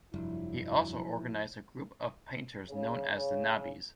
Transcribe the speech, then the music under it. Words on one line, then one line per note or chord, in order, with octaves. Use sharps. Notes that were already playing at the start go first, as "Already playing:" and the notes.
He also organized a group of painters known as The Nabis.
F1 G2 F3 F#3 E4
C#3